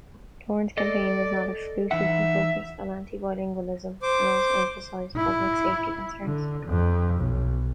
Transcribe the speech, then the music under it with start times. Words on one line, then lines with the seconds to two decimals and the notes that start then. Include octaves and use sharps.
Doern's campaign was not exclusively focused on anti-bilingualism, and also emphasized public safety concerns.
0.78 A4 D5 D#5
1.91 E3 D#4 E5 F#5
4.03 C5 D6
5.16 E4
6.25 D3
6.67 F2
7.18 B1